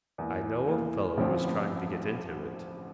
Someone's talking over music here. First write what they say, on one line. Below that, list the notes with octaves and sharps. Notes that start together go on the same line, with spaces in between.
I know a fellow was trying to get into it.
E2 E3 A#3
E2 E3 A#3
A1 G2 D3 F3 C4